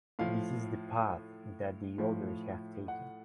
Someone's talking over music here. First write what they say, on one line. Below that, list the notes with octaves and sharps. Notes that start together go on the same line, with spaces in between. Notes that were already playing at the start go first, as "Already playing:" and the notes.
This is the path that the others have taken.
A2 F3 F5
A2 F3
F#5